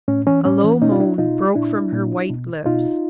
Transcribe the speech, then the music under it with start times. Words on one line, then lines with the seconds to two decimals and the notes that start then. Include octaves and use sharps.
A low moan broke from her white lips.
0.08 A2 C#4
0.26 E3 C#4
0.45 A2 C#4
0.63 E3
0.82 B2 C#4 D#4
0.92 F4
1.00 D4 E4
1.18 B2 D#4 F4
1.55 A#2 D4 E4
1.93 A#2
2.29 B2
2.66 B2 D#4 F4